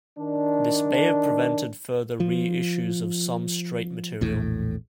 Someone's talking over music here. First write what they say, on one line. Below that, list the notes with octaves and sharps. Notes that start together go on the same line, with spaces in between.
This may have prevented further re-issues of some Straight material.
D#3 D4
F3
A#1 E2 A2